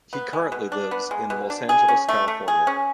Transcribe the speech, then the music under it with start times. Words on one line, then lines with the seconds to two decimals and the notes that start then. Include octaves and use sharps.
He currently lives in Los Angeles, California.
0.13 B3
0.33 G#3
0.52 B2
0.72 D4
0.91 B3
1.11 G#3
1.30 B2
1.50 D4
1.69 G#4
1.88 C#4
2.09 A3
2.28 A3
2.48 G#4
2.67 C#4